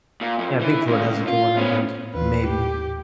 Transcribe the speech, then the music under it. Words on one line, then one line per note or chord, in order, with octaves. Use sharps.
Yeah, I think Florida has a good one, I think, maybe.
A#2
F2
E3
C#2 C#3
F4
B3 C#4
D#2 E3 F4 B4
G4